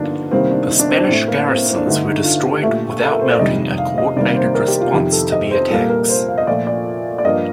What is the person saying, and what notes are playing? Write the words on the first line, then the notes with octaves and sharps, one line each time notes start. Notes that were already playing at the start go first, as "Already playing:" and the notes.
The Spanish garrisons were destroyed without mounting a coordinated response to the attacks.
Already playing: G2 D3 F3 A#3 D4 D#4
C3 D#3 G3 A#3 C4
D4
D#4
D4
C4
D4
A2 A3 C4
A#3
C4
A#3
C4
D4
G2 D3 A3 D#4
D#4
F4
G4
A#2 A3
A4
A#4
C5
D5
F2 C3 D#3 G3 D#5
F5
D#5
C3 D#3 G3 A#3 D5
C5
A#4
G4
F4
F2 C3 D#3 G4
A4
D#5
C5
A#2 G3 A#3 A4
A#4
C5
F5
D#5
A#2 F3 A3 D5
D5
D5
G2 F3 A#3 D#5